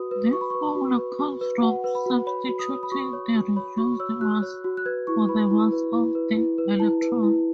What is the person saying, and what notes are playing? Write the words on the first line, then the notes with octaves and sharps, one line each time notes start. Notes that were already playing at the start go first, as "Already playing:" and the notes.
This formula comes from substituting the reduced mass for the mass of the electron.
Already playing: F#4 B4 D#6
B4
F#4 C#6
B5
B4 C#6
F#4
B4
F#4
B4
F#4 F#5
B4
B5
F#4
C#5 B5
F#4
D#6
C#5
B5
F#4 C#6
C#5
F#4
C#5 B5
F#4 C#6
C#5 E6
F#4 F#6
C#5
F#4
F#6
B4 G#6
E4 C#6
B4 B5
E4
B4
E4
B4
E4
B4
E4 A5
B4
E4